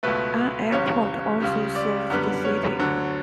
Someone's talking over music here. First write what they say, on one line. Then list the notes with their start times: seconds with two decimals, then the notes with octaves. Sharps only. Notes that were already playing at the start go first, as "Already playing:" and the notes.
An airport also serves the city.
0.03 C#2 B2 A3 B4
0.72 F#1 E2 C#3 G3 C#5
1.41 C#2 C#3 G3
1.76 D5
2.10 F#2 D3 G3 B3
2.45 C#5
2.79 D2 D3 F#3